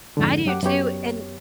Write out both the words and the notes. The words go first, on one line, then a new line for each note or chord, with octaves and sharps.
I do, too, and
F2 G#2 D3
F#2 F#3 G4 F#5 D6
F#2 B3 G4 C#5